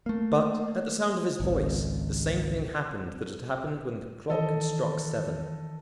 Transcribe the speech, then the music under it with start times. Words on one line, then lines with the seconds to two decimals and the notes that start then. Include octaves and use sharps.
But at the sound of his voice the same thing happened that had happened when the clock had struck seven.
0.06 A3 A#3
1.40 G#1 C#2
4.30 D#3 E3 A4 D#5